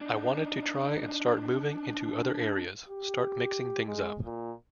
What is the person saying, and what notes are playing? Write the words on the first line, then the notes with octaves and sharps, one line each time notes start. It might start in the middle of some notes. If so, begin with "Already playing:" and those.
I wanted to try and start moving into other areas, start mixing things up.
D4 D#4
G4
G#3
A#2